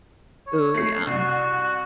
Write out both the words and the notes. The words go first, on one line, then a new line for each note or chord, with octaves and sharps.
Ooh, yum.
C#5
A3 C7
C2 F#4